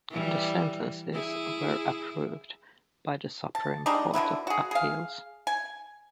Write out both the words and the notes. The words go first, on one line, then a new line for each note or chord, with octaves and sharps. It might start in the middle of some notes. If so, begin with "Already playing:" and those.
The sentences were approved by the Supreme Court of Appeals.
E3 G3
E4 G#4
A5
G3 G#3 D4 D#4
D3 E3 F#3 E4
F#4 G#4
G#4 F5
G#5